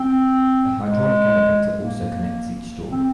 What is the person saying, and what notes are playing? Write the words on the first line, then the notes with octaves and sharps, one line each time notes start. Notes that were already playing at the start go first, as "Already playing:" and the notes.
A hydraulic elevator also connects each story.
Already playing: C4
G#3
A#3
C4